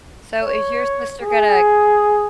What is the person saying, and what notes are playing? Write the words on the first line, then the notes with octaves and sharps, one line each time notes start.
So, is your sister gonna
C#5
G#4